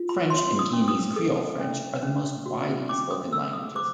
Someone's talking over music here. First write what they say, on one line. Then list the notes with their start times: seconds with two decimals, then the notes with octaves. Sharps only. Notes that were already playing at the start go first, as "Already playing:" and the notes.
French and Guianese Creole French are the most widely spoken languages.
Already playing: F4
0.09 B5
0.30 C#5 C6
0.59 D#6
0.73 C#4
0.88 D#6
1.16 A4
1.60 C#4
2.03 C#4
2.46 F#4
2.89 C#4 D6
3.11 D#6
3.32 A4 E6
3.53 D#6
3.75 C5 D6